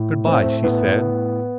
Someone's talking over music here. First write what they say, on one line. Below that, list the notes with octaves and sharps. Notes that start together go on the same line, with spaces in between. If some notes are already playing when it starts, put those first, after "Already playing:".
"Good-bye," she said.
Already playing: A2
A3 C4
A2 B3